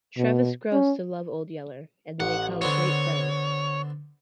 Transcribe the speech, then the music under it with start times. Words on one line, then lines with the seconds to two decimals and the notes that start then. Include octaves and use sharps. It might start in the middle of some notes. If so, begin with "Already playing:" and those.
Travis grows to love Old Yeller, and they become great friends.
0.17 B2
0.72 C#4
2.20 A1 F#5
2.62 D3 B3 C4 C#5